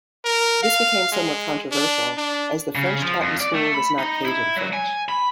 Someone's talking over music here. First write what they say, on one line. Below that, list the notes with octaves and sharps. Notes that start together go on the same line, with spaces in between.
This became somewhat controversial as the French taught in school was not Cajun French.
A#4
F5
G#3
D4
D4
C#3
F3
F2
D5
A3
B5
D#4
E4
F#3
G#5
B5